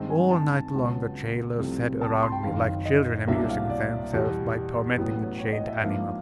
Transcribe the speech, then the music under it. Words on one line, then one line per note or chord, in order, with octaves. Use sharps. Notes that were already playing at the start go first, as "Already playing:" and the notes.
All night long the jailors sat around me, like children amusing themselves by tormenting a chained animal.
Already playing: G2 D#3 G#3 C4
G#5
A5
C#2 C#3 F#3 B3
C2 C3 F3 A3 C4
A5
B5
C6
G5
F#1 F#2 D#3 F5
D#5
C2 B2 F#3 A#3 D4 E5
F5
D5
E2 B2 G3
A1 A2 F#3 B3
C#5
D#5
E5
G#2 F3 A#3 D4 F5